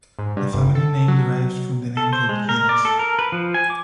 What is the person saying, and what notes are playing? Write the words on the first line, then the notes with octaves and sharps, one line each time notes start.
The family name derives from the name for the genus.
G#2
G2
G1
A4
F#3
A4
C5
G#3
A#4
D5
A4
A#4
B4
F3
G#5
D6